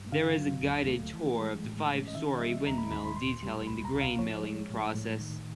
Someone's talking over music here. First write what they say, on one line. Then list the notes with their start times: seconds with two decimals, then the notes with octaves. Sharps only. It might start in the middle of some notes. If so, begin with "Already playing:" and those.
There is a guided tour of the five-storey windmill detailing the grain milling process.
Already playing: G2
0.12 D3 F5
0.38 F#3
0.63 D2
0.88 A3
1.14 E3
1.40 G#3
1.65 A2
1.90 C#4
2.08 D#5
2.15 D#3 E5
2.34 D#5
2.40 G3 E5
2.67 D#2 A#5
2.78 B5
2.91 D#2 B5
2.99 C6
3.04 B5
3.16 A#2 C6
3.43 G3
3.67 C2 B5
3.85 A#5
3.93 C2
4.01 F5
4.19 F3 C#5
4.43 G#3
4.70 A2
4.95 A2
5.20 D#3